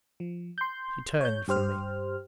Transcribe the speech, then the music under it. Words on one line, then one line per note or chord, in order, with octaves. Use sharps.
She turned from me.
F3
C6 G6
C#5 G6
G2 G4 C5 F6